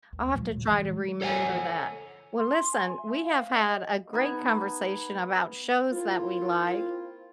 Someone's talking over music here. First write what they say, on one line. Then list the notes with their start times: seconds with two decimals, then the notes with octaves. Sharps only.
I'll have to try to remember that. Well, listen, we have had a great conversation about shows that we like,
0.13 D#2
0.34 A#2 F3 F#3 G#3
0.56 A#2 D3
0.69 E3 G#3
1.21 A4 C#5 F#5 G#5
2.37 C6
2.72 G#5
2.98 E5
3.22 F5
3.53 D#5
4.13 B3 D#4 A#5 G#6
5.91 A#3 C4 E4 F4